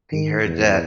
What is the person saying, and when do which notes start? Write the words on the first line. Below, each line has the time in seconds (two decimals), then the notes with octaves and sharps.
He heard that.
0.12 D#3
0.45 E2